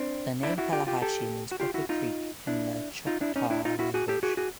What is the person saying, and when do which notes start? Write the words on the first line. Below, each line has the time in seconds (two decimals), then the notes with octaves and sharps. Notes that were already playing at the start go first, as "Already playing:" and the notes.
The name Pelahatchie means "Crooked Creek" in the Choctaw language.
Already playing: C4 D4
0.43 D4 E4
0.58 E4 F#4
0.72 F4 G4
0.87 F4 G4
1.02 G4 A4
1.52 F#4
1.60 F4 G4
1.74 E4 F#4
1.89 D#4 F4
2.47 D4 E4
3.07 D#4 F4
3.21 D4 E4
3.36 C#4 D#4
3.50 D4 E4
3.65 D#4 F4
3.79 E4 F#4
3.94 F#4 G#4
4.08 G4 A4
4.23 F#4 G#4
4.37 F#4 G#4